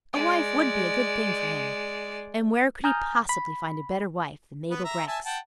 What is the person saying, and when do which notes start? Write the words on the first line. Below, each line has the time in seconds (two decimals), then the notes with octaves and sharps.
A wife would be a good thing for him; and where could he possibly find a better wife than Mabel Grex?
0.13 G#3 D5
2.84 G#5 A#5 D#6 F6 G6
3.29 B5
4.71 B3 B4
4.84 E5 A#5
5.08 E5 G#5 A5
5.26 F#5 G5 A5